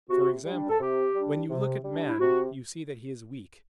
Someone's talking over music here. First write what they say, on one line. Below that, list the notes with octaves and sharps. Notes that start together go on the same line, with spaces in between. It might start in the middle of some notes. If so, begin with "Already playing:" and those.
For example, when you look at man, you see that he is weak.
C3 F#4
G3 D4
A4
C3 G4
G3 D4
C3
G3 D4
E4
C3 F#4